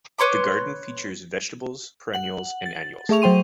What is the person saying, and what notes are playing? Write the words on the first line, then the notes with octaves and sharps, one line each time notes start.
The garden features vegetables, perennials and annuals.
B4 C#5 C6 D6
F#5 F#7
A6
A3 G#4 E5 C#6 F7
F#3 C5 G5 C6 D#7